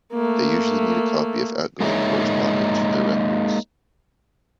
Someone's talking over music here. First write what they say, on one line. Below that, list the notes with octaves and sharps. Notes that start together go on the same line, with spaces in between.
They usually need a copy of outgoing correspondence for their records.
A3 A#3
G#3 A#3 D#4 G#4 C#5 E5